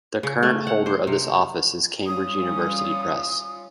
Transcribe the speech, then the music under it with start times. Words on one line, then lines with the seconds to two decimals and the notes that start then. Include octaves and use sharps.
The current holder of this office is Cambridge University Press.
0.23 C#3
0.43 A3
0.67 F#5
0.86 C5
1.07 C3
2.07 G3 C#4 F4 D#6